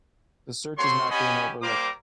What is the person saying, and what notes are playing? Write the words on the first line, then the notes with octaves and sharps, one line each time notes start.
The search is not being overlooked.
A3 C4 F#4 C#5 C6
C#4 G4 D#5 F#5 G#5 B5
G3 A#3 A#4 C5 A#5 D6